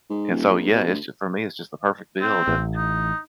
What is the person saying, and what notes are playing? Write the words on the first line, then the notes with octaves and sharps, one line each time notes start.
and so, yeah, it's just for me, it's just the perfect build. And,
G#2
D#1
A#1
B2
D2
C4
A1
D#4